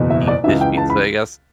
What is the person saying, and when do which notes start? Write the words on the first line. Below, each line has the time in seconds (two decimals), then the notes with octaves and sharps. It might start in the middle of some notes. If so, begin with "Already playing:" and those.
deep dish pizza, I guess,
Already playing: F#1 E2 B2
0.10 E5
0.28 D5
0.44 C#2 C#3 E3 E5
0.61 G5
0.77 A5
0.90 B5